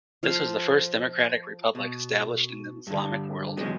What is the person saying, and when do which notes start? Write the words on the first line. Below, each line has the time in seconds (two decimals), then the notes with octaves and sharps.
This was the first Democratic Republic established in Islamic World.
0.23 F3 C5 F5
1.75 B2
2.87 G2 D3
3.57 G#2 C#3 E3 F#3 G#3 B3